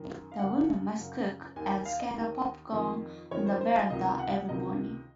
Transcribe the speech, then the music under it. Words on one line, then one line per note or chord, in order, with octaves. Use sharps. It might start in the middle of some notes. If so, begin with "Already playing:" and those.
The woman must cook and scatter popcorn on the verandah every morning.
Already playing: F#2 D#3
F5
F#2 C#3 F#5
F#2 C#3
D#2 D#3 G#5
G#5
F5
D#5
D#2 D#3
F2 D#3
F2 D#3 C#5
C5
C5
F5
C#2 C3 D#3 D#5
F#5
C#2 C3 D#3 D#5